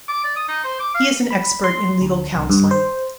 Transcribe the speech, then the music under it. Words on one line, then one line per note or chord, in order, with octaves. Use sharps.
He is an expert in legal counseling.
D6
D5
D#6
D#4
C5
D6
F5
B5
C6
D2
C2
G2
C5